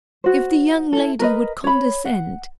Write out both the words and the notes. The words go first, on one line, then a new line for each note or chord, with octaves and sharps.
If the young lady would condescent!
F#4 C5
E4 A4
A#4 B4 D#5
C#5 B5
F#5